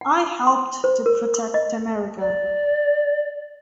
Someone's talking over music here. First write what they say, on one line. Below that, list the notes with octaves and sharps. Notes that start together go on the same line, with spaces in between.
I helped to protect America.
F#5
C6
C5
A#4
E6
D#5
D5